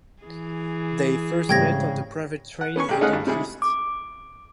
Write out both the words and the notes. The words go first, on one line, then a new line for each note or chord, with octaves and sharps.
They first met on their private train heading east.
E3 G#4
G#2 C#3 G3 A3 C4 G5 G#6 A#6
F#5
B3 C#4 G#5 C#6
A1 G4 G#4
G#3 A3 C#4 D#4 F5 F#5
G2
C3 G3 G#3 E4 G#4
D6